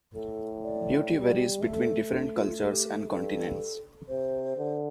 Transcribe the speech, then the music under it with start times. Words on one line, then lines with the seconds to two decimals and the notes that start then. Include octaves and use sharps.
Duty varies between different cultures and continents.
0.14 A2 A4
0.64 D5
1.13 G3
1.62 A3 A4
2.11 D4
2.36 F4
2.61 G4
3.09 G2 A4
4.08 C3 C5
4.57 D3